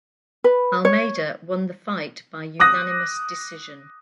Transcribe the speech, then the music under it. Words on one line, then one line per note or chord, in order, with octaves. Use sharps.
Almeida won the fight by unanimous decision.
B4
C#5
D6 D#6 F#6 A#6